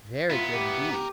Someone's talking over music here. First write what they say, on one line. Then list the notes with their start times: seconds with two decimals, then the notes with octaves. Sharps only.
"Very good indeed."
0.30 A#2 B3 E4 F4
0.51 G4
0.91 A3 G4 A#4